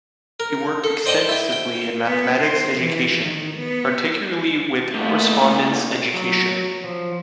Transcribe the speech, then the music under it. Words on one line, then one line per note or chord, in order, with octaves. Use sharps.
He worked extensively in mathematics education, particularly with correspondence education.
A#4
A4
C5 D5 D#5 G5 A5
E4 G5
G5
B3
C5
E3
D#3
B3
G2 A#2 A3
F#3
F3